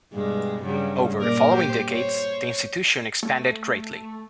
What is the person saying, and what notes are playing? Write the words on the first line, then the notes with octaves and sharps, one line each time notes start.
Over the following decades, the institution expanded greatly.
G2 B2 G#3
G2 C#3 F#3
A#2 A#4 D5
G4 C5
C5 C#5
A3